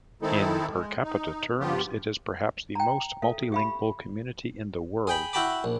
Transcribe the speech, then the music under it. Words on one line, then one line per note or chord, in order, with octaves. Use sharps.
In per capita terms, it is perhaps the most multilingual community in the world.
D#3 G#3 C4 D#4 E4 A4
G#3
D#4
G2 F3 B3 F4 G4
G5 A#5
A4 E5
G4 E5 B5
G#4 G5 B5
E4 F#4 G5 A5 B5 D6
A#1